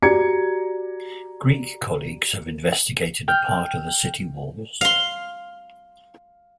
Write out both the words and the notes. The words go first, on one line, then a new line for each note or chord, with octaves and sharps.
Greek colleagues have investigated a part of the city walls.
F#4 G4 D5 A#5 G#6 C#7
G5 F6 G6
F5 C6